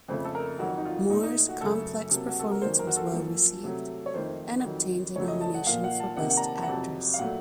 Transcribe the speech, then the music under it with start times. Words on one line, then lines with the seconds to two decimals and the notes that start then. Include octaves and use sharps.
Moore's complex performance was well-received and obtained a nomination for Best Actress.
0.08 F2 C#3 A3 C5
0.25 A4
0.35 A#4
0.59 F2 D#3 F#3 F#4
0.78 D#4
0.85 F4
1.10 A#2 A3 D#4
1.23 D#4
1.49 F#4
1.61 F#2 C#3 A3 A4
2.11 C3 F#3 A#3
2.28 F#4
2.39 A4
2.51 A#4
2.62 F#2 D#3 A#3 C5
2.79 A#4
2.87 F#4
2.96 A4
3.13 F#2 F3 A#3
3.64 C3 F#3 A3
4.06 C#5
4.14 F2 D#3 A3 C5
4.65 F2 D#3 F#3
5.16 F#2 C#3 F#3 A3 C#5
5.28 D#5
5.41 A5
5.54 F#5
5.67 A#2 F3 A#3 F5
5.84 F#5
6.00 A5
6.16 C3 D#3 A#3 F#5
6.30 F#5
6.37 A#5
6.42 A5
6.55 A5
6.63 F#5
6.67 F2 C3 F#3 A5
7.14 F5
7.19 A#2 F#3 A3 F#5